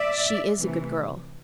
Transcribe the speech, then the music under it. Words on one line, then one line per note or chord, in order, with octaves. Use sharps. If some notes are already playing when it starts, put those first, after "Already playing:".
"She is a good girl."
Already playing: D5 E5
C3 E3 A3